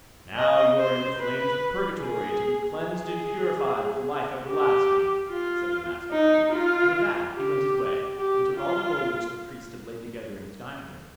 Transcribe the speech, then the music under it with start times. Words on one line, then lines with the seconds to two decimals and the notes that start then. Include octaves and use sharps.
'Now you are in the flames of purgatory, to be cleansed and purified for life everlasting', said the Master Thief; and with that he went his way, and took all the gold which the Priest had laid together in his dining-room.
0.36 D#5
0.77 C5
1.18 B4
2.00 G#4
2.82 G#4
4.47 G4
5.29 F4
6.11 D#4
6.52 F4
7.35 G4
8.16 G4
8.57 F4